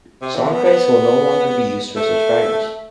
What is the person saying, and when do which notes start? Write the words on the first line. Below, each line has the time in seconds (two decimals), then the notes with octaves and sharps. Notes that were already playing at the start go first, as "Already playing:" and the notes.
Song credits will no longer be used for subscribers.
0.22 C3
0.36 E3
0.51 B3
0.65 B3
1.96 A3